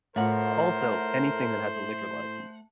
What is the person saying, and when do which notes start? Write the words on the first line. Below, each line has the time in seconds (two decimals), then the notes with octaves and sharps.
Also, anything that has a liquor license.
0.16 A2 A3 F4 A#4 C5 F#5